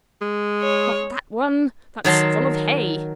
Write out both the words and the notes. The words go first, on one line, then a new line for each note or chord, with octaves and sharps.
Not that one--that's full of hay!'
G#3
C#5
D#3 F#3 A5 C6